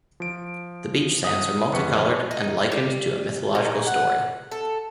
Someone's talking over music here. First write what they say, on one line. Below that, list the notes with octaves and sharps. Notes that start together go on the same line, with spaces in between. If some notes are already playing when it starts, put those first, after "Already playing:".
The beach sands are multi-coloured and likened to a mythological story.
F3 D7
F#5 D#6
F2 C3 B4 F#5 C#6 C#7
D#4
G3
A#2
F#5
A4